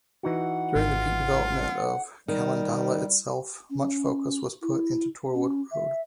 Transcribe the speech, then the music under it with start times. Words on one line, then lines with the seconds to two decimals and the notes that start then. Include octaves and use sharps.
During the peak development of Khandallah itself, much focus was put into Torwood Road.
0.23 E3 D#4 F#4 F#5
0.76 G#1 F4
2.28 D#3 G3
3.70 C#4
4.62 E4
5.34 C#4
5.72 E5